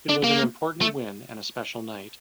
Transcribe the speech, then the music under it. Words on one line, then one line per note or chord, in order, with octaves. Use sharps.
It was an important win and a special night.
D4
A#3
A3